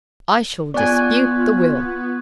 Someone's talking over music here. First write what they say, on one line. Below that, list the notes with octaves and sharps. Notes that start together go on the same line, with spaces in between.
"I shall dispute the will."
B3 F4 D5 G#5 C#6 F#6 G#6